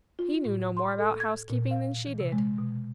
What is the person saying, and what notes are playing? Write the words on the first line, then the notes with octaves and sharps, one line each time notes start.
He knew no more about housekeeping than she did.
F4
A2
C6
A4
G#6
A#2
F5
E3
C3
G#3
B2